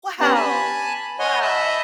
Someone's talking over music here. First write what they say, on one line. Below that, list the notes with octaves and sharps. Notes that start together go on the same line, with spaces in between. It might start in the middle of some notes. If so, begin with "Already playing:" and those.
Wow! Wow!
B3 C#4 D4 G4 A5 A#5
G#5 A5 B5
C#5 D#5 F#5 G#5 C6
D#5 E5 A5 B5 G6